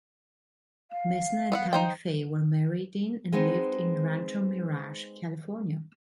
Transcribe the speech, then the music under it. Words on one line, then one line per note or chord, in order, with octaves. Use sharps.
Messner and Tammy Faye were married in and lived in Rancho Mirage, California.
F5
B3 E5 F#5
D#4 C5 G5
G#3 B3 C4 D#4